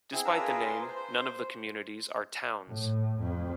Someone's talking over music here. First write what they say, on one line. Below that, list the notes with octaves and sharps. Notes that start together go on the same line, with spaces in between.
Despite the name, none of the communities are towns.
C4 E4 G#4
D4 B4 F5 A#5 E6
F4 G#4 A#4 B4
C6
C5
C5
A2
F2